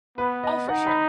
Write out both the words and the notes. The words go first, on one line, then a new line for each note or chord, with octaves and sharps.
Oh, for sure.
B3 B4
D#5
D#4 F#5
B5